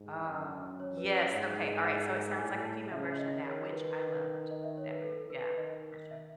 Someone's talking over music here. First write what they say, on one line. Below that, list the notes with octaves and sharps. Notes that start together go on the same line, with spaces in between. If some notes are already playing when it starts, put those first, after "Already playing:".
Um? Yes, okay, alright, so it sounds like a female version of that, which I loved that mov yeah, that show.
Already playing: G#2
F#2
C#5
B4
C#5
G#2
F#5
F#5
A2 G#5
A5
C#3 E5
D#5
D#3 C#5
B4
B4
D#5
E5
C#5
B4
A4
B4
D#3 D#5
E5